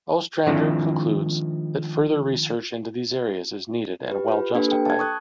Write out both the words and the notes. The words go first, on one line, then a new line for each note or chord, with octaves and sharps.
Ostrander concludes that further research into these areas is needed and well justified.
D#3 F3 G#3 C4 D4 E4
G4 B4
F4 B4
A#3 D4 G4 A4 B4
A4 G5
A5 G#6
C#6 D#6 F#6